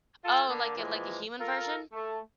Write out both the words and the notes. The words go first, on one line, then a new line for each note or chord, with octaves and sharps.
Oh, like, a like, a human version?
F4 A4
D3 A#3
A#2 E3 F3 G#3 B3
F4 A4 A#4
A3